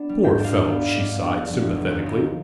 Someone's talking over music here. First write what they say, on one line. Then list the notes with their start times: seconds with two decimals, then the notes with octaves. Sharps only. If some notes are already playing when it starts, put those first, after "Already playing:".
"Poor fellow!" she sighed sympathetically.
Already playing: B3 D4
0.09 G3
0.23 G#2 G5
0.40 D4 F5
0.54 D4
0.64 D5
0.70 B3
0.85 G#2 F5
0.99 D4
1.16 G3
1.30 D4
1.46 F1
1.61 F1
1.76 F1
1.91 D#2
2.06 D#2